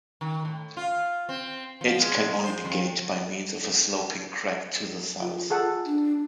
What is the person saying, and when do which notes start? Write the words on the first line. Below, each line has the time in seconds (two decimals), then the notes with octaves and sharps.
It can only be gained by means of a sloping crack to the south.
0.21 D#3
0.45 A2
0.77 F4
1.29 C4
1.81 F3
2.00 G#3
2.44 C5
2.65 F2
5.21 F4
5.50 G#4 A4 F#5
5.86 D4